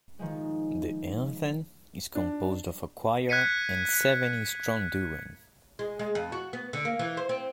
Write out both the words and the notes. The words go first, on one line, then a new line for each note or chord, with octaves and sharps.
The anthem is composed of a choir and seven stroonduran.
D#3 F3 G#3
D4
F#6 G#6 B6 C#7 D#7
G#3
G#3
F2
F#4
B3
D3
A#3
E3
C5
C4